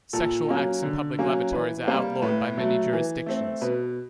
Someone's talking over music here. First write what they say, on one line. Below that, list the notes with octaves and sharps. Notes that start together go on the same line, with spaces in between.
Sexual acts in public lavatories are outlawed by many jurisdictions.
A#2 A4
F#3 A#3 C#4
D3
F#3 A#3 C#4
E3 B4
G3 A#3 C5
A2 B4
F#3 A3
E3
A3 C4
B2 B4